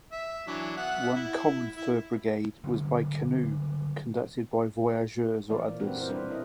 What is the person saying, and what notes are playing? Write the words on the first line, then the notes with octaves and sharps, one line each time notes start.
One common fur brigade was by canoe, conducted by voyageurs or others.
E5
E3 F#3 D4
B3 E5 F#5
E4
E4
D3 F#3 G3
A#2 E3 F3 A#3 A#4 D5
A#2
G#3 C4 F#4 G4 A#4 B4
D#4 E4 G4 A#4 C5
B2 G3 D4 G4 A#4 B4
E4 A#4 D#5